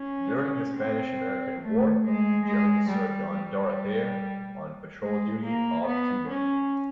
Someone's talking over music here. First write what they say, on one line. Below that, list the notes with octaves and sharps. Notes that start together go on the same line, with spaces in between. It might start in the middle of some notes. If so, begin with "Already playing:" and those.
During the Spanish-American War Jones served on "Dorothea" on patrol duty off Cuba.
Already playing: C#4
C4
A3
G#3
G#3
G3
G3
G#3
A#3
B3
C#4